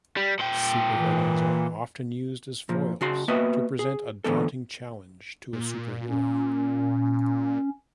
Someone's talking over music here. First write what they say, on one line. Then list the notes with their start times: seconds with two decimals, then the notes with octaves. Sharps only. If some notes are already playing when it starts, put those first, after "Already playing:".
Supervillains are often used as foils to present a daunting challenge to a superhero.
0.17 G3
0.39 A#2 G5
0.96 E3
2.69 A#2 F3
3.01 C#3 F#4 C6
3.28 A#3 B3 F#4 B4 D#5 E5
3.79 G#4
4.24 E2 D3 E3 B3 A4
5.53 A#2
6.09 C#4